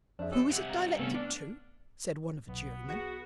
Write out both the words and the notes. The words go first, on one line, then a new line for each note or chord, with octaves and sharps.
'Who is it directed to?' said one of the jurymen.
F2 D4 G#4 C5 E5
D3 D#4 G4 A4 C#5 G#5
G2 C3 G#3 F#5
F5 A#5
C3 A3 B3 C#4 A4
D4 F6
B1 B3
F#4 G#4